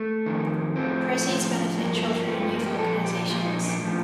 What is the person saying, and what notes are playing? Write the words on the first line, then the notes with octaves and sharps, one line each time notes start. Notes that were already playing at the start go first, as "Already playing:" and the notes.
Proceeds benefit children and youth organizations.
Already playing: A3
F2 D#3
A2 F3 C4
A2 F3
G2 F3 A#3
A3
A#3
G2 F3 A3
A3
A#3
G4
A#2 F3 A4
G4
A#2 F3 F4
D#4
D4
A2 F3